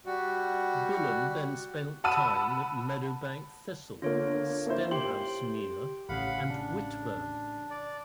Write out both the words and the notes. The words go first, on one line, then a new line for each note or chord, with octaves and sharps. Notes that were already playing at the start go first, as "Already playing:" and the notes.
Bullen then spent time at Meadowbank Thistle, Stenhousemuir and Whitburn.
G3 F#4
F#5 A5 B5 E6 D#7
D3 A#3 F4 C#5
A#3 E4 C5
G4 G5 C6 F#7
A1 C#3 F5 F#5 B5
D4
D5